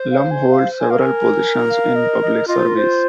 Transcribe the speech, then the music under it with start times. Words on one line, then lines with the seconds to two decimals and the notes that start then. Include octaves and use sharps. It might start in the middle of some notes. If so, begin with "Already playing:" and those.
Lum holds several positions in public service.
Already playing: C5
0.11 F5
0.31 G#5
0.50 F5
0.80 G#5
0.90 A#4 F5
1.00 G#5
1.69 F5
1.95 D#5
2.22 D#5
2.48 F4 D#5
2.58 C5
2.67 A#4
2.77 C5